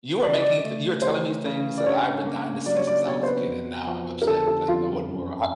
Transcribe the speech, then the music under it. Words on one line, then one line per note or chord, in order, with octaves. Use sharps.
you are making th you're telling me things that I've been dying to see since I was a kid, and now I'm upset. Like, uh, what or ho
C#3 D5
D#5
D5
A3
C5
E3 C#5
C#3
D5
D4 C#5
A#3
F#3 D5
C#5
D5
B2 C#5
C5
B4
F2
F3
A#4
D3 A4
A4
F2 F4
F#2